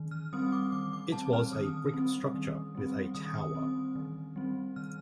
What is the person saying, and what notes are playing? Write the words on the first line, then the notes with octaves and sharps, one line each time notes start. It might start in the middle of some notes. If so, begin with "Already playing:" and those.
It was a brick structure with a tower.
Already playing: D#3
F6
G3 C4 D#6
D6
D#3 D6
D6
G3 C4 A5
F6
D#3 D#6
G3 C4
D#3
G3 C4
D#3 D#6
G3 C4
D#3
G3 C4
D#3 F6